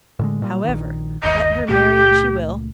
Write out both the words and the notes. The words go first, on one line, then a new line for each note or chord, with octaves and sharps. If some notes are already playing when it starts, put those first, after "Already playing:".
However, let her marry an she will.
A2 D3 G#3
A#2 G3
A#1 D#3
G1 D#2 D#5
C#2 A#2 A3 G4